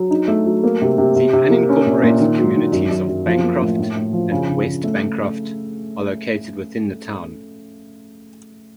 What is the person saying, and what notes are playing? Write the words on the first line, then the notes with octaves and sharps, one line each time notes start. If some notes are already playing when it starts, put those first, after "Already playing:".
The unincorporated communities of Bancroft and West Bancroft are located within the town.
Already playing: F#3
D#4
A3
F#3
A#3
C3
C3
C3
C3
A#3
C#4
A#2
A#2
D#3
F#3
D#3
F#2
F#2
F#2
F3
A#3
A2
A2
A2
F3
C#3
C#3
C#3
A3